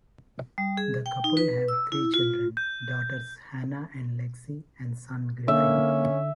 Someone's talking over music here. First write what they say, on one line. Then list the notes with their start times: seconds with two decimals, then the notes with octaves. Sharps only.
The couple have three children; daughters Hannah and Lexie and son Griffin.
0.58 G3
0.77 G#4
1.06 G5
1.24 D#4
1.37 B4
1.68 E6
1.92 E4
2.14 F4
2.57 G6
5.48 D3 A#3 C#4 E5